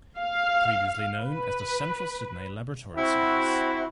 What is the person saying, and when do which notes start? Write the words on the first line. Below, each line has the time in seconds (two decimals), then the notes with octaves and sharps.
Previously known as the Central Sydney Laboratory Service.
0.19 F5
1.21 B4
2.96 C4 E4 F#4